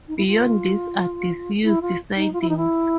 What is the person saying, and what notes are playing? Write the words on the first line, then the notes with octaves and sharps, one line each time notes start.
Beyond this are disused sidings.
D#4
E4
F4
E4
F4
D#4
F4
E4
D#4
E4